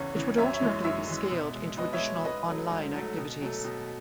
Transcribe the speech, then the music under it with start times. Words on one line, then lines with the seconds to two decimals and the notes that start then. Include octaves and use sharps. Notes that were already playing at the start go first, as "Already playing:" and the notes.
It would ultimately be scaled into additional online activities.
Already playing: E2 C#3 E3 C#5
0.15 C#3 E3
0.37 F#2 C#5 E5
0.53 C#5 E5
0.61 E3 G#3
0.84 F#2 C#5 E5
1.08 E3 G#3
1.31 B2
1.54 G#3
1.77 B2 B4 D#5
1.93 C#5 E5
2.01 G#3
2.24 G#2 B4 D#5
2.47 F#3 A3
2.70 G#2
2.94 F#3 A3
3.17 B2
3.41 F#3 A3
3.64 B2